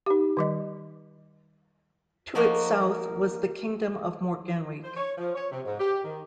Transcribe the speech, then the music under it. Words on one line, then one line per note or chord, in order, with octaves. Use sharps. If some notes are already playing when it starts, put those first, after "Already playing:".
To its south was the Kingdom of Morgannwg.
D#4 G4
D#3 G3 D#5
F3 A#3 D#4 F#4 A#4
C5
C#5
F3
C#5
C3
G#2
G4
D#3